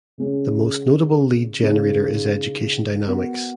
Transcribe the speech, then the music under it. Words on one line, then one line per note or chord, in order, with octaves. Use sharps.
The most notable lead generator is Education Dynamics.
C#3 G#3 C#4
C#3 G#3 D#4 G#4 C#5
B3 F#4 A#4